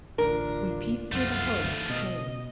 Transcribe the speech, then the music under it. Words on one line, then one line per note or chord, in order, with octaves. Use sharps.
We peeped through the hole in the paling.
A1 D2 D4 F4 A#4
C2 F#2 F3 A3 F4 F#5
B2 D#5